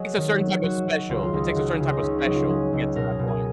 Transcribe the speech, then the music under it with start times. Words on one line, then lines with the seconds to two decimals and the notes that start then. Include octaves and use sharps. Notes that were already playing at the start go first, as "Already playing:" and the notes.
It's a certain type of special it takes a certain type of special to get to that point.
Already playing: F#3 G#4 D#5 F#5
0.17 D#3
0.40 F#3
0.63 F#3 F#4
0.87 F#3
1.09 C#2 F4
1.23 F4
1.33 C#2 D#4
1.56 C#2 F#4
1.68 G#4
1.79 C#3 F4
1.91 D#4
2.02 C#2 C#4
2.18 C#4
2.26 F#3 D#4
2.34 F4
2.49 F#3 G#4
2.73 C#2
2.95 B2 A#4
3.11 G#4
3.19 B2
3.27 G#4